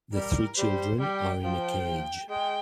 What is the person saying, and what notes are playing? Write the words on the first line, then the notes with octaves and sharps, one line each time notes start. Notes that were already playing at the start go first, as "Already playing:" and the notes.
The three children are in a cage.
G3 A#4
G3 C5
G3 G5
F3 G5
G#3 G5